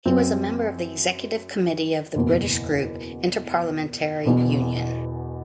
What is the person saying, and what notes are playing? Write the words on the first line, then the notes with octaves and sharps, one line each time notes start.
He was a member of the executive committee of the British Group, Inter-Parliamentary Union.
F#2 F#3 C4
F#1 E2 B2
E1 E2 B2